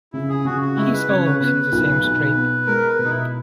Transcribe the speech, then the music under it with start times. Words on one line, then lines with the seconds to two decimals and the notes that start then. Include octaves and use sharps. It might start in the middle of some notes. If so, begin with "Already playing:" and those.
He's always in the same scrape.
0.13 C#3 E4
0.29 G#4
0.45 C#3 F#4
0.61 F#4
0.77 G#3 E4
0.93 B4
1.08 C#3 C#5
1.25 B4
1.40 B3 B4
1.72 B1
2.04 B2
2.35 B3
2.67 G#3 A#4
2.89 B4
2.99 B2 D#4
3.10 E4